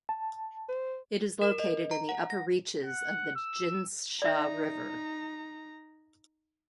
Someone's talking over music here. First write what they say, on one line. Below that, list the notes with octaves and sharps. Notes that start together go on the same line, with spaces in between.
It is located in the upper reaches of the Jinsha River.
A5
C5
A#4
D#5
A#5
F#5
A#6
F#5
E6
D#4 D5 E5 A#5